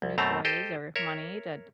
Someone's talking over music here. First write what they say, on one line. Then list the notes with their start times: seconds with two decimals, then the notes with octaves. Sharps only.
new toys or money that
0.02 C2
0.18 F#2 B2 A3 C4 A5 A#5
0.45 G4 A4 C5 D#5
0.96 A#4 C#5 E5